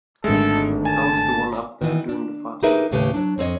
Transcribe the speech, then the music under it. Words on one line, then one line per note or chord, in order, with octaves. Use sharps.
I was the one up there doing the farting.
G#1 D3 G#3 A3 A4
G#5 A5
D#3 E3
D4
D#4 G4 G#4 A#4 B4 E5
D#2 A2 C#3 A3 G4 B4
F#3 D4
F2 C4 D#4 C#5 D#5